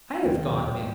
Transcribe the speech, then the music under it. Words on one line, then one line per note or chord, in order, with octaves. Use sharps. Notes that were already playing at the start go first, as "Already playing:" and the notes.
I have gone mad....
D#2 D#3 F#3 G5
A2 E3 G3